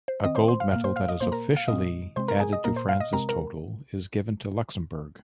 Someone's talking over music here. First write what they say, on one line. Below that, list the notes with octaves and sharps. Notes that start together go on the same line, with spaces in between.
A gold medal that is officially added to France's total is given to Luxembourg.
C5
D#3 C4 D#5 D#6
C5 C6
C5 C6
F5 F6
A#2 A#3 F5 F6
C5 C6
F5 F6
D#5 D#6
A#2 A#3 C5 C6
A#4 A#5
F5 F6
A#2 G#3 C4 D#5 D#6
C3 G#3 C4 C5 C6
A#4 A#5
G#4 G#5
D#5 D#6
A#2 A#3 A#4 A#5
C5 C6
F5 F6
D#5 D#6
C3 G#3 C4 A#4 A#5
A#4 A#5